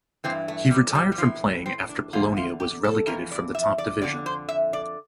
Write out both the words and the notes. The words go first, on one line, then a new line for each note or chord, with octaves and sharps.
He retired from playing after Polonia was relegated from the top division.
G2 E3 C4
A3
G3
G3
G3
A2 E3 F3
C4
D4
E2 D3 F4
F4
G4
A4
F2 E3 A#4
D5
E5
D5
F2 D3 D5
C5
E5
D5